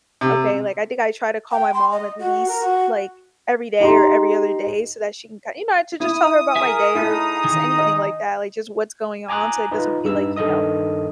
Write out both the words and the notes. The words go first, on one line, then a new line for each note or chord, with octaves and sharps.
okay, like, I think I try to call my mom at least, like, every day or every other day so that she can kin you know, to just tell her about my day or s anything like that, like, just what's going on, so it doesn't feel like, you know,
C3
G5
C6
D#5
F#4
A#4
F#4
D#4 G4 A#5 C6
E4 D#6
G#4 A#4 E5 G#5
D#4 E4 G#4 A4 A#5
D#3
D#5
G#5 A#5 D6 D#6 F#6
D#4 F4 B4 D#5
G2 D#4 E6
G2 D#3 A4 D#5 D#6